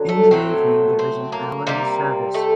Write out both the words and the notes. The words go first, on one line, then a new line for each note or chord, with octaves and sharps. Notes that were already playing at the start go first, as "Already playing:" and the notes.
In the evening there is an hourly service.
Already playing: D3 F#3
A3
A2 F#3 A3 C4
C4
A#3
C3 G3 A#3
A3